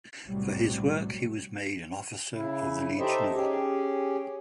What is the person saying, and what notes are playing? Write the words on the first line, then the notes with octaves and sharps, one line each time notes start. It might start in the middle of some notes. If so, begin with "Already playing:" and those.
For his work he was made an Officer of the Legion of Honour.
B1 F#2 A2 C3 F#3 G3
C#3 E4
D#4 G4 A4 C5 D#5 E5
C#4 G4 G#4